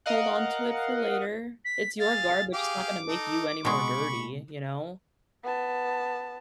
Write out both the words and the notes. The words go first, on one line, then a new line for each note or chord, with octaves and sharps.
Hold on to it for later, it's your garbage, it's not gonna make you any more dirty, you know?
A#4 D#5 F5 F#5
B6
G#4 F5 A6
G4 G#4 F5 D6
D#4 A4
B2 G#3 B5 C#6
B3 A5